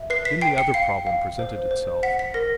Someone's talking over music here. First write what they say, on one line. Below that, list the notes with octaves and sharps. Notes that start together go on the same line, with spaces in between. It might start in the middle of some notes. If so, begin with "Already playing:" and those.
Then the other problem presented itself.
Already playing: E5
B4 C7
B6
G5 C7
C#7
F5 C7
F5
C5
C5
F#5 B6
B6
A#4 A#6